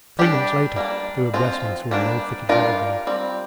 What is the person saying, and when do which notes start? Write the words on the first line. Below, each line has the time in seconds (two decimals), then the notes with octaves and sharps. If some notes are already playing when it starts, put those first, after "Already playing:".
Three minutes later, they were breasting through a low thicket of evergreen.
0.19 G3 D4 G4
0.76 G3 A#3 D4
1.34 F3 C4 F4
1.91 G3 A#3 D4
2.49 G3 D4 F4 A#4
3.07 G3 C4